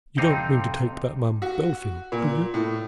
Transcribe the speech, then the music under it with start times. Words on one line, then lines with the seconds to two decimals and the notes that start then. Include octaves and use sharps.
"You don't mean to take that man Bellfield, do you?"
0.16 F2 C3 C4 D#4 F5
1.42 F#4
2.12 A#2
2.54 A2